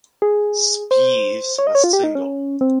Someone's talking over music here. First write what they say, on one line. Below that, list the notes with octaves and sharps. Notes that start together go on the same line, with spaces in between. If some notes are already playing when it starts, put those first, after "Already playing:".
Spiess was single.
G#4
C5
C#5
D#5
C#5
F4
G4
D#4
C#4
C4